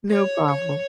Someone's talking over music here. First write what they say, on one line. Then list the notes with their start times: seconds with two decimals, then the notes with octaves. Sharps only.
No problem.
0.11 C#5
0.46 C#5